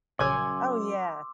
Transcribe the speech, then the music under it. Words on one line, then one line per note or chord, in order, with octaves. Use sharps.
Oh, yeah.
A#1 F#2 C#3 G#5 C6 D6 E6